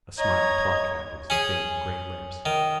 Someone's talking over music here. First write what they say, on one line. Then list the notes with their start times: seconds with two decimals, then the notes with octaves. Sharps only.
A smile plucked at his thin, gray lips.
0.19 C#5 D#5 A#5 G#6
1.30 C#4 G#4
2.46 D#3